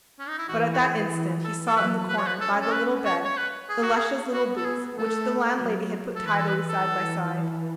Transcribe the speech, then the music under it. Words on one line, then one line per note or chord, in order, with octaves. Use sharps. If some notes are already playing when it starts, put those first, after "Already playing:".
But at that instant he saw in the corner, by the little bed, Ilusha's little boots, which the landlady had put tidily side by side.
C#4
D#4
E4
E3 F#4
F#4
G#4
A4
A4
F#3 B4
B4
C#5
B4
C#4 A4
A4
B4
C#5
C#5
B4
G#4
F#4
G#4
B3 F#4
A4
G#4
A3 A4
F#3
A4
E3 B4
A4
B4
A4
E3